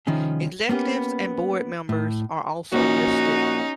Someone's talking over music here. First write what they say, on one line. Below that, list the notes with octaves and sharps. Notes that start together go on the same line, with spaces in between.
Executives and board members are also listed.
C2 D#3 F3 C#4 G#4
A#3 B3 C#4 G4
A2
A#1 C#4 D#4 F#4